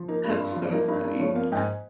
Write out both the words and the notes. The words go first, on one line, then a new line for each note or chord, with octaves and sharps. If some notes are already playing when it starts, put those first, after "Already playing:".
That's so funny.
Already playing: F3
A#3 D#4
G2
F4
G2
F4
F3
A#3 D#4
G2 D#4
G2
F3 C#5
A#3 F5
G#2 G5 G#5